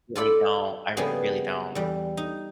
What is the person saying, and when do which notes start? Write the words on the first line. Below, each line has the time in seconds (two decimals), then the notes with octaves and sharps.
Really don't, I really don't.
0.15 F4 A4 D5 B5
0.97 C#3 F3 G3 A#3 B3 G#4
1.75 E2 G3
2.17 D#4